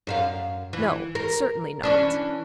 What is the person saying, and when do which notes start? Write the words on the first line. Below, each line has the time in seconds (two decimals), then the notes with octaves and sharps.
No; certainly not.
0.07 F#2 E5 F5
0.73 E3
1.15 A#4
1.83 E3 C#4 D4